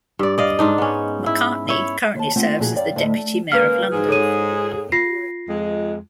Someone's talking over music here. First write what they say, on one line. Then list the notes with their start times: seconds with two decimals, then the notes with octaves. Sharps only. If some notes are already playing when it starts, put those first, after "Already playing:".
McCartney currently serves as the Deputy Mayor of London.
0.19 G2 D5
0.38 D5 D#5 F5
0.59 G#2 D4 D#4
0.78 B3 C#4
1.26 E4
1.68 E4 C#5
2.15 D#2 A5
2.36 A3 A#3 C4 F4 F#5
2.59 A#2 F3 E4 F#4 G#4
2.76 F#2 F#3 D5 F5 G5
2.96 D2 A2 A3 D#5 E5
3.17 A3
3.52 C#3 G#3 A#3 B4 F6
3.92 G#2 G#4
4.09 A4 C#5 D#7
4.92 F4 A#6 C7
5.49 F2 G#3